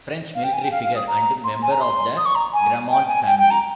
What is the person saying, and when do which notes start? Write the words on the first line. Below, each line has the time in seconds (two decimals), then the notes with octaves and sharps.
French military figure and member of the Gramont family.
0.34 F5
0.43 G5
0.53 G#5
0.62 G5
0.71 F5
0.83 F5
0.95 D#6
1.07 A#5
1.44 C6
1.62 G#5
1.71 A#5
1.80 C6
2.17 D#6
2.25 C#6
2.35 A#5
2.53 G#5
2.90 G5
3.07 G#5
3.26 G5
3.38 G5
3.50 A#5